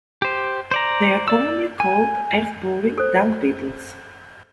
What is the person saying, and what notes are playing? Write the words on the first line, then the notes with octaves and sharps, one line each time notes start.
They are commonly called earth-boring dung beetles.
G4 C5
C5 D5 A#5
D5 E6
G#5
A4 C5